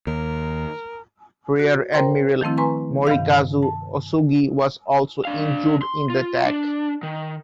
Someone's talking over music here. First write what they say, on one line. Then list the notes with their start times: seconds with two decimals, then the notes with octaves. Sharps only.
Rear Admiral Morikazu Osugi was also injured in the attack.
0.07 D#2 A#4
1.59 F#4
1.93 A#4 C5 G5 A#5 C6
2.41 D#3 F3 A3 C4 E4
2.58 B4 G#5 A#5 C6 C#6
3.07 G2 C3 D#3 F5
3.63 A5
5.25 D4 F5
5.82 C6
6.10 F4
6.46 D4
7.03 D#3